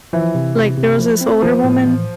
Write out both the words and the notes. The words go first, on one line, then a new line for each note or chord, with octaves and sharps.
like, there was this older woman,
E3 F3
C3
C3
C3
F3
C4
F3 A#3
A2
E3